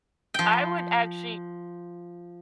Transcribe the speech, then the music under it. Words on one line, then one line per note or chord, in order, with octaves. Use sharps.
I would actually
F3 G5